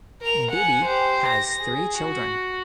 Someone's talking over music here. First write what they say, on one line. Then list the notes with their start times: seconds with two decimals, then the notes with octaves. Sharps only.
Bibby has three children.
0.21 A#4 F7
0.51 F#5 G#5
0.85 G4 C5
1.28 A#6
1.59 G#4
1.97 F#4